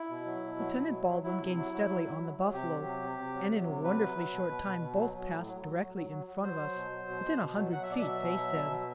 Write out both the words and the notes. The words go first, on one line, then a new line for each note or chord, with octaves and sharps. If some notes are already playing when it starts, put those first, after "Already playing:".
Lieutenant Baldwin gained steadily on the buffalo, and in a wonderfully short time both passed directly in front of us--within a hundred feet, Faye said.
Already playing: E4
B2
F#3
B2
F#3
B2
F#3
F#3
F#3 E4
C3
F#3
F#3
F#3
F#3
F#3
F#3
C3 G4
F#3
C3
C3
C3
F#3
F#3
C3
F#3 B4
F#3
F#3
B2
B2
B2
B2
F#3
F#3
A2
F#3
F#3
F#3
F#3
F#3
F#3
F#3 C5
F#3
B2
F#3
B2
B2
B2
F#3
F#3 F#5
E5
B2 D5
F#3 E5
B2
F#3
B2
F#3